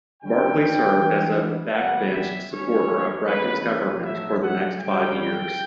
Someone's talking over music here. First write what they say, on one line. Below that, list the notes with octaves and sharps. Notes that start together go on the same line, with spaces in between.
Barclay served as a backbench supporter of Bracken's government for the next five years.
D2 D3 G3 C#4 E4 G5
G2 E3 B3 E4
E2 B2 G3 B3 F#5
E5
G2 E3 A3 C#4 C#5
F#1 E2 C#3 F#3 B4
B4
B1 A2 F#3 A3 E5
F#5
F#2 C#3 G3 G5